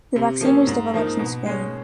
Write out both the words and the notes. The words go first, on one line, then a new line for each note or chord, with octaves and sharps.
The vaccine was developed in Spain.
C3
F3 A#3 C#4
G#2
F3 A#3 D#4
B2
G#3 C#4